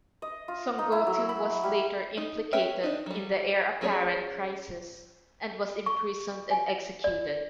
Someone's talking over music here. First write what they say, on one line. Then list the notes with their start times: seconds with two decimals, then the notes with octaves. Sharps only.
Songgotu was later implicated in the heir-apparent crisis, and was imprisoned and executed.
0.22 D#5
0.48 F4
0.79 D#4
0.92 E4
1.07 F#3
1.29 B5
1.63 G3
2.17 D#4
2.53 C#4 B4 E5 G5
2.83 D4 D#4
3.06 F#3 G3
3.81 F#3 C#4 G#4 C#5 D5
5.86 C#6
6.51 G#5
7.04 D5